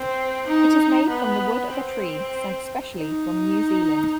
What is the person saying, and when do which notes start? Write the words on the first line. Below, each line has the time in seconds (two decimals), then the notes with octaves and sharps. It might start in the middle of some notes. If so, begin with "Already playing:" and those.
It is made from the wood of a tree sent specially from New Zealand.
Already playing: C4
0.47 D#4
1.09 B3
1.71 C4
2.97 D#4